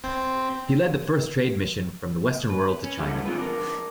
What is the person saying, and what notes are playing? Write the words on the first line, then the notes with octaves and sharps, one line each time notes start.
He led the first trade mission from the Western world to China.
C4
B4
C#4
G#2 D3 F#3 G3 A3
C4 D4 F4 G#4 B4
D4 A#4